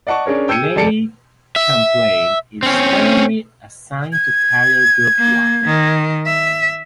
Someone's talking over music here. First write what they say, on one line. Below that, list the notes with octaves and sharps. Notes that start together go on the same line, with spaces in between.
"Lake Champlain" is currently assigned to Carrier Group One.
D5 D#5 F#5 A5 C#6
C#4 D4 G#4 A#4 C#5
G5 E6 G6 G#6 C#7 D#7
G#4
F1 D5 A5 C#7 D7
E5
C4 C#4
G#6
A#3
D#3
E5